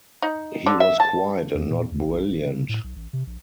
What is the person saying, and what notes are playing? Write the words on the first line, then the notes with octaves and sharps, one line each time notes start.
He was quiet and not brilliant.
D#4
D3
E5
A5
E2
A#2
D#2
A#1
D#1
C#3
A2
B1
A1
C3
A#1